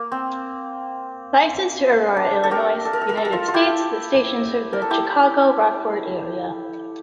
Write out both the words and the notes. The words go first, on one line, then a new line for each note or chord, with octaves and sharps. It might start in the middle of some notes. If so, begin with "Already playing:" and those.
Licensed to Aurora, Illinois, United States, the station serves the Chicago, Rockford area.
Already playing: A#3
C4
D4
A4
G4 A#4
A4
A#4
A4
A#4
A4
A#4
F4 A4
F4
E4 G4
A#4
A4
E4 G4